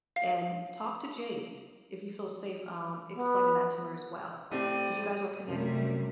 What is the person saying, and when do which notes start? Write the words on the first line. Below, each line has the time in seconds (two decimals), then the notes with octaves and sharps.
and talk to Jade, if you feel safe, um, explaining that to her as well, 'cause you guys are connecting.
0.16 F5
3.14 B3
4.51 A2 C4 G4 D5 D#7
5.48 F#2 C3 G3 A3